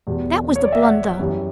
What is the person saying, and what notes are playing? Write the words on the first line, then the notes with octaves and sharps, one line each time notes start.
That was the blunder.'
E2 B2 G3
C#5
D5
E5
F#5
F#2 E3 G3